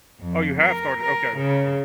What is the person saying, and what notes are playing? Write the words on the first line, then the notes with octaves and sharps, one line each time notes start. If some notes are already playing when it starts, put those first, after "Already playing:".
Oh, you have started? Okay.
F2
A#4
A#4
C#3